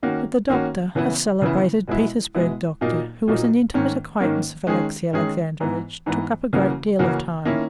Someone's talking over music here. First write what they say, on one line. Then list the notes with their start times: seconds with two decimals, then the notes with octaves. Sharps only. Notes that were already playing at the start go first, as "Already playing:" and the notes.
But the doctor, a celebrated Petersburg doctor, who was an intimate acquaintance of Alexey Alexandrovitch, took up a great deal of time.
0.03 D#3 A#3 C#4 F#4
0.49 D#3 A#3 C#4 F#4
0.95 C#3 E3 B3 E4
1.42 C#3 E3 B3 E4
1.88 B2 G#3 B3 E4
2.35 B2 G#3 B3 E4
2.81 A#2 F#3 A#3 D#4
3.28 A#2 F#3 A#3 D#4
3.74 G#2 D#3 A#3 C#4
4.20 G#2 D#3 A#3 C#4
4.67 D#3 G#3 C#4 G#4
5.13 D#3 G#3 C#4 G#4
5.60 G#2 E3 B3
6.06 G#2 E3 B3
6.53 C#3 E3 A#3 C#4 F#4
6.99 C#3 E3 A#3 C#4 F#4
7.45 D#3 A#3 C#4 E4